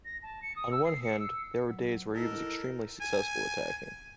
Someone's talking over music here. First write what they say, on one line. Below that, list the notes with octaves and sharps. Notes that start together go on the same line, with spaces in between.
On one hand, there were days when he was extremely successful attacking.
A#6
A5
C#7
D#6
E6
C7
C#7
E6
F#3
D#4 E4 A4 A#4
G#5